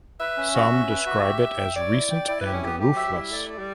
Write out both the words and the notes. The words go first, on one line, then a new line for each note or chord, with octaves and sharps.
Some describe it as "recent" and "roofless".
B4 E5
C#4
F#4
C#4
B4
F#4
G4
G4
G5
C#5 D5
E4
G5
E4 D5
B4
G4
C#4
B3 G4
A3 G4
F#3 E5
F#3
G3 E4
A3 D5
D5
G3